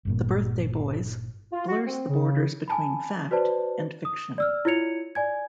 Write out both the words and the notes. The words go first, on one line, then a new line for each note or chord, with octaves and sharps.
"The Birthday Boys" blurs the borders between "fact" and "fiction".
G1 G2 A#2
F4
F#4
C4
C#3
G#5 A5 B5
F#4 B4 C5 D5 A5
D#6
D5 E6 F6
E4 F4 C#5 G#6 C#7 F7
D5 G#5 G#6